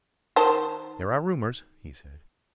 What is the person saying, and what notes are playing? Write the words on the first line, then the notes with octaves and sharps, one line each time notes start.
"There are rumours," he said.
D#3 C5 A5